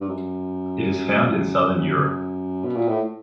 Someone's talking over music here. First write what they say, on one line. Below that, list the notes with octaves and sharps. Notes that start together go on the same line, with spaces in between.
It is found in southern Europe.
G2
F#2
B2
A#2
A2